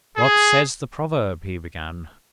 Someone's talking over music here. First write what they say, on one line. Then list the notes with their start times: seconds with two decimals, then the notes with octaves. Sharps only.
"What says the proverb?" he began.
0.17 G#4